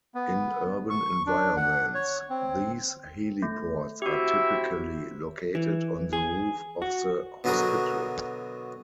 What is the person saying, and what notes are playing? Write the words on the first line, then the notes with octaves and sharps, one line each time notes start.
In urban environments, these heliports are typically located on the roof of the hospital.
B3
C#6
D4
F#5
C#5
C4
A3
C4 E4 F#4 G4 E5
E3
G#4
F#4
B2 D3 F#3 F#4 G#4 A#4